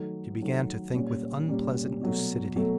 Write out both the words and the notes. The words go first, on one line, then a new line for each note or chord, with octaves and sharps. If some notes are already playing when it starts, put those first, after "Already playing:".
She began to think with unpleasant lucidity.
Already playing: D#3 F#3 A3
D#3 F#3 A3
A#2 G3 A#3 C#4
A#2 G3 A#3 C#4
B2 F#3 A3
B2 F#3 A3